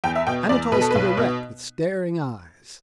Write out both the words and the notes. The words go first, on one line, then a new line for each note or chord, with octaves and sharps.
Anatole stood erect with staring eyes.
E2 G5
E5
B2 G5
E2 D5
B2 B4
A4
B1 B4
B2